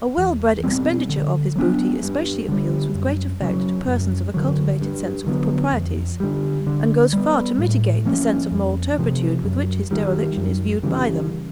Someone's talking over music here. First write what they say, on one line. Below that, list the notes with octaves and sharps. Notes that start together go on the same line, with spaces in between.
A well-bred expenditure of his booty especially appeals with great effect to persons of a cultivated sense of the proprieties, and goes far to mitigate the sense of moral turpitude with which his dereliction is viewed by them.
E2
B2 G3 C4
D3
F#3 B3 D4
G2
D3 G3
F#2
C#3 F#3
F#2
D3 F#3
G2
D3 F#3 B3
F2
D3 G3
D3
G3 B3
A2
F3 A#3 C#4
F2
C3 F3
F#2
D#3 G3
F#2
C#3 E3 G3